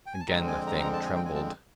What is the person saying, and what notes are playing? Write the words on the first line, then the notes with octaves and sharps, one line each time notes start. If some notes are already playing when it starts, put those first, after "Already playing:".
Again the Thing trembled.
G5
G#5
A5
F2 D3 F3 G#3 C4 A#5
G#5
A#5
A#5
A5
G#5
G5
G#5
A5